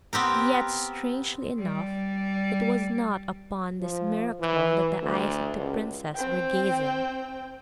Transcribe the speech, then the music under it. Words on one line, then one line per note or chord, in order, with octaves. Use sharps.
Yet, strangely enough, it was not upon this miracle that the eyes of the princess were gazing.
B3 C4 G4 A#4
G3 D5
F3
E3
D2
C#2
C4 G5